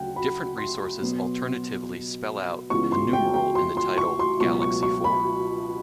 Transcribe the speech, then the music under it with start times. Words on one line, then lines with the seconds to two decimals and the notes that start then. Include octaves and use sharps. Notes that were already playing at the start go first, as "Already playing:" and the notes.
Different resources alternatively spell out the numeral in the title: "Galaxy Four".
Already playing: D2 C#3 F#3 F#5 G5
0.16 B5
0.58 C6
1.01 B2 F#3 B3
2.70 C#2 C#3 E3 G#3 B3 C#6
2.92 C6
3.13 G5
3.34 G5
3.55 C6
3.77 C6
3.98 C#6
4.19 C6
4.40 C#2 B2 F#3 C#6
4.62 C#6
4.83 C#6
5.04 B5